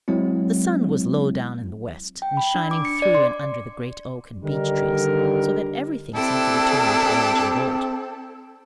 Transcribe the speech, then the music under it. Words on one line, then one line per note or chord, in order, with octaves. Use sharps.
The sun was low down in the west, and shining through and under the great oak and beech trees, so that everything seemed to be turned to orange and gold.
F#3 G#3 C4 E4
G5
B5
D4
D6
C#7
D5
C6
D3 D#3 G3 A#4
C4 D4 E4 G4 A4